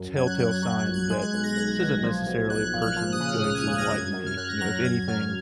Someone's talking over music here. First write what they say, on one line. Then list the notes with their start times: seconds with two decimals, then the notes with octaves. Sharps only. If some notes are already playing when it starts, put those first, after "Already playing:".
telltale sign that, "This isn't necessarily a person that's going to enlighten me." You know? "If anything,
Already playing: F#2
0.16 F#3 G#6
0.27 F#6
0.38 F#3 G#6
0.50 F#6
0.62 F#3 F#6
0.78 F#6
0.86 A#1
0.94 G#6
1.09 G#3 G#6
1.21 F#6
1.33 B1 G#6
1.44 A#6
1.56 B1 G#6
1.80 B1
2.03 F3
2.26 B1
2.50 B1 F#6
2.72 A#2
2.81 F6
2.96 F3 F#6
3.12 D#6
3.19 C#3
3.27 F6
3.43 C#2 F#6
3.55 G#6
3.67 C#3 G#6
3.78 A#6
3.90 F#2 G#6
4.13 F#2
4.26 F6
4.37 F#2 F#6
4.49 A#6
4.60 F#3 A#6
4.73 A#6
4.83 F#2 G#6
5.07 F#3 F6